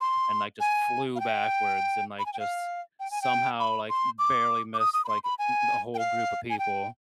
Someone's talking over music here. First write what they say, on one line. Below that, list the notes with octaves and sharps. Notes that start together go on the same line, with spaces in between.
and, like, just flew backwards and, like, just somehow, like, barely missed, like, th the whole group of people,
C6
G#5
F5
G5
B5
G#5
G5
F5
G5
G#5
G5
B5
C6
D6
D6
D#6
D#6
B5
C6
B5
G#5
G5
F5
G#5
G5